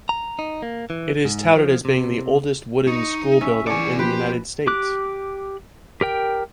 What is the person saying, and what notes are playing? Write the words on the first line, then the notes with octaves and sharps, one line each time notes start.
It is touted as being the oldest wooden school building in the United States.
A#5
D#4
A#3
E3
G#2
F3
C3
D#4 C#6
C#4 E5
E3 G#4 D5 G#5 C#6 D6
F3 A#3 G4 B4 C5
G4 D6 F#6
G4 A#4 G5